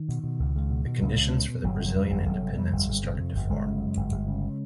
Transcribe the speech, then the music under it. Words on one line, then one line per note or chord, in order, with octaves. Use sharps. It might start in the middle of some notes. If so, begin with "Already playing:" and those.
The conditions for the Brazilian independence started to form.
Already playing: D#3
B2
B2
C#2
C#2
B2
B2
C#2
C#2
B2
B2
G1 F#3
C3 G3
F#3
F2 G3
G1 F#3
G3
G1 F#3
C3
F2 G3
G1
G1
C3
F2
G1
G1 G#3
C#3
F#2
G1
G1
C#3